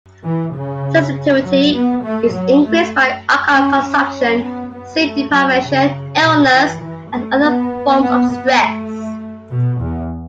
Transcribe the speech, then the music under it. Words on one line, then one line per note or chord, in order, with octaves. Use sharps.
Sensitivity is increased by alcohol consumption, sleep deprivation, illness, and other forms of stress.
E3
C#3
F#3
B3
A3
F#3
A3
C#4
C#4
B3
B3
A3
F#3
C#3
B2
E3
E3
A3
B3
B3
B3
A3
B2
E2